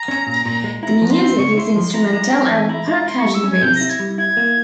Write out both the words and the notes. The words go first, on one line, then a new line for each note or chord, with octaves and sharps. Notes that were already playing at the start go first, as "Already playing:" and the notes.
The music is instrumental and percussion-based.
Already playing: A#5
C#4
A#2
A#2
G#3
E4 A#5
F3
C6
C4
C#3 C#6
E4 C6
F3 C6
E4 A#5
G#3
C4
E3 G#5
E4 A#5
G#3 A#5
E4 C6
C#6
G3
E6
C#4
G#6
C3 G6
A#6
E4
G#6
G3
E4 G#6
A#3